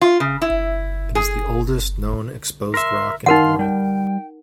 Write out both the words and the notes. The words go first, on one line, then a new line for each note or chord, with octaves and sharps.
It is the oldest known exposed rock in the world.
F4
C#3
E4
G#4
A#4 E5 C6
D#3 D#4 A#4 F5 F#5 C6
G3 G5